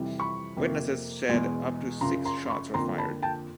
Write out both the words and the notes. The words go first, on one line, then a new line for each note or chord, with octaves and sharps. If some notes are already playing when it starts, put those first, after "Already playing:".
Witnesses said up to six shots were fired.
Already playing: F2 C3 E3 G3
B5 C#6
F2 C3 F3 A#3
E2 B2 G#3
F#1 F#2 C#3 F3 A#5 C6
A#5 C6
C6
B5 C#6
F2 D3 F3 A#3 A#5 C6
A5 B5
G5 A5